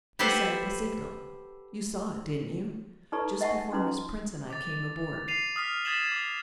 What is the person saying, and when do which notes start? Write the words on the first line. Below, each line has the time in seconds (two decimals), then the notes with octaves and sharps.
He sent up a signal--you saw it, didn't you?--just before Miss Prince and I came aboard.
0.19 G4 A4 B4 C5 E5 F#5
3.12 D#4 A4 B4 D5 A#5 C#6
3.41 D#5 E5 F#5 G#5 A5 C#6
3.72 C#4 D#4 B4 A#5 C6
4.50 D6 A6
5.28 C7 D#7 F7
5.56 D#6 F6 B6 F7
5.85 D#6 G#6 A6 B6 E7 F#7
6.12 D6